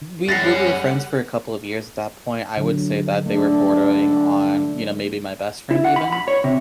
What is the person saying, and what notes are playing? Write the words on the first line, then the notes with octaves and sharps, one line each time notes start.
we we were friends for a couple of years at that point, I would say that they were bordering on, you know, maybe my best friend, even.
F#2 G3 C#4 A4 F#5 A6 A#6 C7
D3 F#3
D3 A3
E4
F#5
B5
B5
C#5
C3